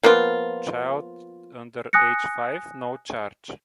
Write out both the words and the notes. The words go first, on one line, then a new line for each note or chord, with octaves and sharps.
Child under age five: no charge.
F3 A#3 B3 F4
G#5 D#6 F#6 A#6 C#7